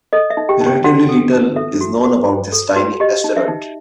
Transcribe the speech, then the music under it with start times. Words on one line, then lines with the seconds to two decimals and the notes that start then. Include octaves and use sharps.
Relatively little is known about this tiny asteroid.
0.13 A4 D#5
0.30 E5
0.37 D#4
0.49 G4 G5
0.61 D#4
0.67 G4 G5
0.84 F#4 C5 F#5
1.09 A4
1.33 D#4
1.56 A4 E5
1.81 F#4
2.04 F#4
2.28 C5
2.52 A4
2.76 F#4
3.00 G4 D#5
3.24 D#4
3.37 E5
3.48 D#4